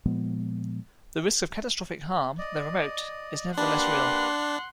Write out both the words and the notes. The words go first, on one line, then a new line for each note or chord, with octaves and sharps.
The risk of catastrophic harm, though remote, is nevertheless real.
A#2 F3 G#3 B3
D5 D#5
A#3 D4 G4 B4 F#5 C6